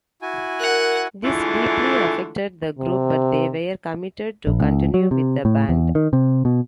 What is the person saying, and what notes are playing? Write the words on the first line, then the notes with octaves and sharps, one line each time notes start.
This deeply affected the group, but they were committed to continue with the band.
E4 F#4 G#5
A#4 F#5
D3 E3 G#3 A3 E4 F4
C3
A#1
C#2
F#3
C3
A2
E2
D#3
C3
B2